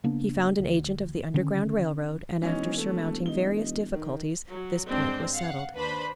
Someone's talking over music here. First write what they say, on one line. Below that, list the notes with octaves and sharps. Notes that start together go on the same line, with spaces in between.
He found an agent of the Underground Rail Road, and after surmounting various difficulties, this point was settled.
C#3 A#3 B3 D4
D2
D3 D#3 C#4
E1 E3 C#4 D#4
A3
D#4 G7
D#3
F#3
G1 G#3 C4 D4
F5 F#5
D#2 D4 B4 C5 B5